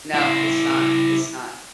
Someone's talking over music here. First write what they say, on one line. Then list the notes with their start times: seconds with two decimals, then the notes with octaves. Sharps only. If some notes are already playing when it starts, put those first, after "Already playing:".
No, it's not, it's not.
0.14 E4 C5